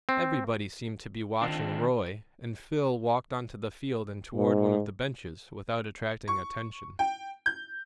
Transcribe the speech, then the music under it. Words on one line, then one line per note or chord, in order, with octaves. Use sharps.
Everybody seemed to be watching Roy, and Phil walked on to the field and toward one of the benches without attracting attention.
C4
D3 D#3 C4 D4 F4
G#2
C#6
G5
G6